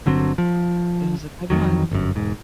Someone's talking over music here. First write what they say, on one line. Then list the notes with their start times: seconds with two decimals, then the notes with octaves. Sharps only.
It was a good one.
0.06 G1 D3 F#3 C4
0.38 F3
1.50 F2 D#3 F#3
1.91 G1 F#2
2.15 E1 G#2